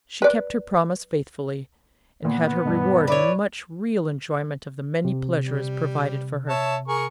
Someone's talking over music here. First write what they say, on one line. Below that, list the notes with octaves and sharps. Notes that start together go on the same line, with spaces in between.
She kept her promise faithfully, and had her reward in much real enjoyment of the many pleasures provided for her.
B4 D5
A#2 B3
G2 B2
E4 B4 C#5 D5
C3
G3
C#5 E5 A5
G#4 A#4 C#6